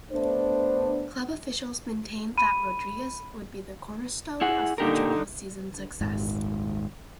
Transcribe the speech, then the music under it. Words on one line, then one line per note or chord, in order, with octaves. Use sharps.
Club officials maintained that Rodriguez would be the cornerstone of future postseason success.
A3 B3 D4 C5
B5 D#7
E4 G#4 F#5
A#2 D3 D#4 G4 A#4
D#1 G#1 G#2